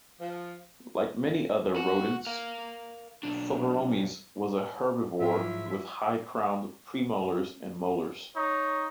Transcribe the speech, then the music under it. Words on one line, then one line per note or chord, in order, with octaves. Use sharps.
Like many other rodents, "Phoberomys" was a herbivore with high-crowned premolars and molars.
F3
F#4
A#4 F5
B1 D4
G#2 F3 F#3 E4 F4 E5
D#4 C#5